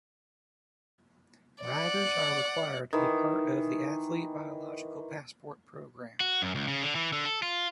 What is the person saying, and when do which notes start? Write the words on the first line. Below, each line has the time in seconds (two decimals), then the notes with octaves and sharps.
Riders are required to be part of the athlete biological passport program.
1.65 D5 F#5
2.93 D#3 E3
6.20 F#4
6.42 F#2
6.55 C#2
6.68 C#3
6.82 D3
6.96 E3
7.13 D3
7.25 A4
7.43 F4